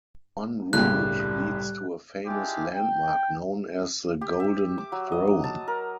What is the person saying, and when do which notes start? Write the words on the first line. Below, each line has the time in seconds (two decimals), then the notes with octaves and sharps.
One route leads to a famous landmark known as the Golden Throne.
0.73 G1 C2 A2 C#3 G3 G4 F#6
2.26 G#3 D4 E4 F4 G4 G#4
2.73 G5
4.21 G4
4.40 E5
4.78 D6
4.92 F#3
5.12 D#5
5.44 A5
5.68 A#4